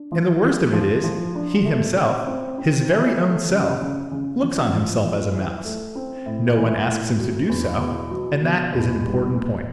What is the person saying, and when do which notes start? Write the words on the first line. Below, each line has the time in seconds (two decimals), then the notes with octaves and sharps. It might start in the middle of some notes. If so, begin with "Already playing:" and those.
And the worst of it is, he himself, his very own self, looks on himself as a mouse; no one asks him to do so; and that is an important point.
Already playing: D4
0.12 F3
0.43 F3
0.73 F3
1.04 F3
1.35 D4
1.65 A3
1.96 C4
2.27 C4
2.58 C4
2.89 E3
3.20 A3
3.50 C#3
3.81 C#3
4.11 C#3
4.42 F3
4.73 F3
5.03 F3
5.34 E3
5.64 A3
5.95 C4
6.26 A2
6.57 E3
6.88 A2
7.19 F#3
7.49 E2
7.80 B2
8.11 F#3
8.42 B2
8.72 E2
9.03 G3
9.34 A#2